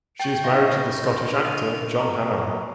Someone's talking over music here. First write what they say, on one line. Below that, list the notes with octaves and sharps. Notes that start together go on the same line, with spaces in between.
She is married to the Scottish actor John Hannah.
G5 C#6 G6 A6
G#2 G3 D#4 D#5 F5 C#6 G6 A#6
G2 D3 F3
D#5 D#7 F7
A#5 C#6
B2